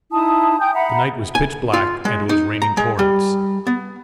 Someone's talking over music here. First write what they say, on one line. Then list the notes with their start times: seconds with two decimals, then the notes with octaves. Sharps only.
The night was pitch black and it was raining torrents.
0.11 D#4 E4 A5 D#6
0.60 G5 G#5 D#6 G6
0.74 E5 F#5 A#5 B5
1.35 G#5
1.73 F4
2.05 G#3
2.29 D#4
2.62 A#5
2.77 G#3
2.99 G3
3.67 B3